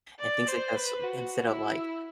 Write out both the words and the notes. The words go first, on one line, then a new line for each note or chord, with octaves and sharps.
and things like that, so instead of, like
D5
C5
B4
F#4
E4